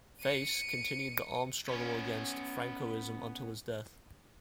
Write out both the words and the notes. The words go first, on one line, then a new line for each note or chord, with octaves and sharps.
"Face" continued the armed struggle against Francoism until his death.
C#7 D#7
B3 C#4